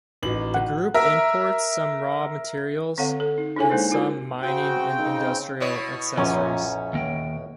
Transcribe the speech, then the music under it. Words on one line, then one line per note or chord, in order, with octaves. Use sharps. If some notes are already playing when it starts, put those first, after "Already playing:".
The group imports some raw materials and some mining and industrial accessories.
A1 D#4 F#4 F#7
F#5
A#4 E5
D3 C4 A4 C#5 F5 F#5
A4
D#4
D4 E4 G#4 A4 C#5 G#5
G#3 A#3 D#4 G#4 C5
D#4 F4 F#4 A#4
C#3 C4 F#4 G5
D#4
B2 E4 C#5
B1 F#2 A#2 F3 C#4
D#2 A#3 G5